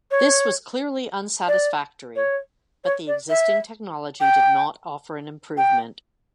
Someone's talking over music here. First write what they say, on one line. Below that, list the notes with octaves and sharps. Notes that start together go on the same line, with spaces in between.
This was clearly unsatisfactory, but the existing technology did not offer an improvement.
C#5
D5
C#5
C#5
D5
E5
G5
G5